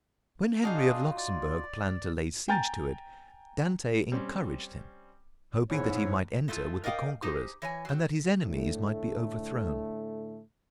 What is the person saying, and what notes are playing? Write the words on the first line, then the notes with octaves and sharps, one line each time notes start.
When Henry of Luxembourg planned to lay siege to it, Dante encouraged him, hoping that he might enter with the conquerors and that his enemies might be overthrown.
D4 D#4 F4 F#4 G#4
D5
G5 G#5 A#5 G6 A6
G3 C4 C#4
E2 G#2 E4 G#4 C#5
G#3 A3 E4 F4
A#4 D5 D#5 F5 G5
D#4 G4 G#4 C5
E3 C#5 G#5
F#3 C4
A2 D3 A3